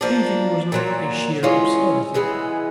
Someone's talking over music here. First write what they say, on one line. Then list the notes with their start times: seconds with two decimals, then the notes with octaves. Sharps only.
Thieving was not a sheer absurdity.
0.01 F3 A#3 D4
0.72 A#2 F#3 A#3
1.43 E3 G#3 C#4 F4
2.14 E3 G#3 B3